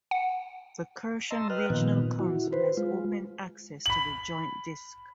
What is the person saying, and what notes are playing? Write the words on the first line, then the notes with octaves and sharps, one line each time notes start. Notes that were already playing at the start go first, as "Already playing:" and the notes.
The Kherson Regional Council has opened access to the joint disk.
F#5
D#5 A5 A#5 C6 E6
B4 D#5 G5 F6 F#6
A#2 D#3 F3 B3
E4 F#4
B4 C5
G#3 F4
B5 F#7